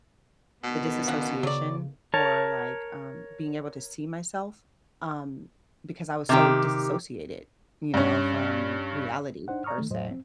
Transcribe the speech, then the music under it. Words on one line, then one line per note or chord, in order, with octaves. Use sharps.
the disassociation for, like, um, being able to see myself, um, because I was so disassociated, you know, from reality per se.
B2 D3 D#3 B3
A#3 C#4 F#5
C#3 F#3 D5
A#4 C#5 A5
C3 D#3 G4
G2 C#4
D4 D#4 C5 F#5
D5 A#5 C#6 D#6 F6
D#3 A3
E2 A2 F#3 C5 D#5
C4